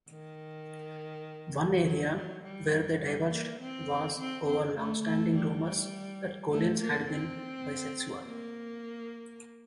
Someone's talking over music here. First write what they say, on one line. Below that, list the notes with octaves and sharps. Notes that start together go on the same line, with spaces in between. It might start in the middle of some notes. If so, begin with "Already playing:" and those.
One area where they diverged was over longstanding rumours that Collins had been bisexual.
D#3
F#3
F#3
G3
G3
A#3
C4
C4
C4
A3
A3
G3
A3
A#3
C4
A#3